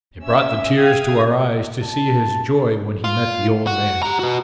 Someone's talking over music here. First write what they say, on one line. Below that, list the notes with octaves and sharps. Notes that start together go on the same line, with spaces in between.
It brought the tears to our eyes to see his joy when he met the old man.
C#4 E5 E6
E5 F5 G5 D#6 G#6
A5
F4
F#4
G4 A#5
B3 F#4